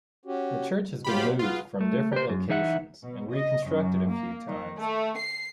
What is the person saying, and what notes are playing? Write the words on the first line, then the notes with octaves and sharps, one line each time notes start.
The church has been moved from different locations and reconstructed a few times.
C#4 F#4 G4
B2
G#2 B2 F#3 F4 G4 B5
F4 F#4 G#4 B4
A3
G4 C5
F#2
E3 D#4 E5 F#5
B2
D#5
F#2
A#3
D#3
A3
C7